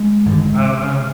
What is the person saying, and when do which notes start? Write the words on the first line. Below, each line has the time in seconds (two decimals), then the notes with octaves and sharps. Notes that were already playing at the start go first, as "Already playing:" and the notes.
Oh no.
Already playing: G#3
0.26 G#1 G2 D3